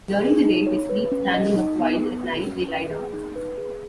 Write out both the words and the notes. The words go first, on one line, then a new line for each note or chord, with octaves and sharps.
During the day, they sleep standing up while at night they lie down.
G#4
D#4
C#5
B4
C#4
D#5
D#4
B3
B4
F#4
C#4
B4
G#4
D#4
B4
G#4